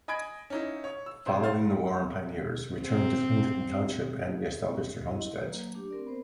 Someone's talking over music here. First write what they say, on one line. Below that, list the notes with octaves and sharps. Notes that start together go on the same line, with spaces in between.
Following the war the pioneers returned to Clinton Township and reestablished their homesteads.
D#5 G#5 B5 G#6 D7
C#4 D#4 E4
C#5
E6
F2 C5 E6
C5 F5 A6
C4
E4 D#5
F#3 B4
F#3 A#3
A3 D4 G4
C4 A#4 D5
B3 A#4 C5